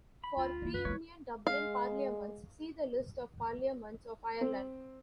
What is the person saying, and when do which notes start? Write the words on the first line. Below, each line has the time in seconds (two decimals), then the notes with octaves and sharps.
For pre-Union Dublin parliaments, see the list of Parliaments of Ireland.
0.24 B5
0.37 D2 F4
0.62 D#3 A#3
0.74 F#2 B4
0.85 E2 G#3 C#5
1.47 G#3 F5
4.41 C4